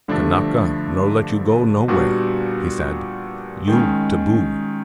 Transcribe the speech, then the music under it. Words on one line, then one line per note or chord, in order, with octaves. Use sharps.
'Kanaka no let you go nowhere,' he said; 'you taboo.
G2 D3 F3 A3 D4
A#2 G3 B3 D4 F#4
D#3 G#3 C#4